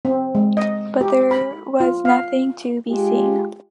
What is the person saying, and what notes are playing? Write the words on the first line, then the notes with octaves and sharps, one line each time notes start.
But there was nothing to be seen.
C4
G#3
D#5
G4
B5
F4
F5
G#3 F4 G4